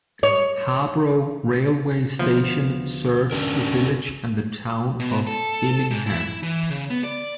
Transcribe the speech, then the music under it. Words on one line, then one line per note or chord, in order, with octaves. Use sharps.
Habrough railway station serves the village and the town of Immingham.
C#5
D2 F3 B3
C#4 D4 A#4
B2
A4
G#2
E4
E3
C#3
B3
D5